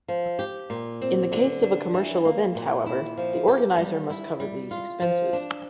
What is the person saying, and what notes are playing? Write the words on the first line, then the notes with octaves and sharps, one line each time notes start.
In the case of a commercial event however, the organizer must cover these expenses.
F3
G4
A#2
C4
D3
D4
E3
A#3
A#2
E4
F3
G4
G3
E4
G3
F4
F3
D4